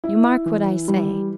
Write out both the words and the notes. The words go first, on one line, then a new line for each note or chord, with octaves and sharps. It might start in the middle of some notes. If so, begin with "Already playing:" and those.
You mark what I say.
E4
E3
G3